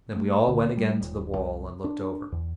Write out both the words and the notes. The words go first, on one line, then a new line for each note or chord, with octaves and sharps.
Then we all went again to the wall and looked over.
A3
D2
G3
D#1
C2
D4
E2